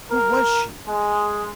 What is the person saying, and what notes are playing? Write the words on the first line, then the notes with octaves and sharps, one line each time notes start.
Who was she?
A#4
G#3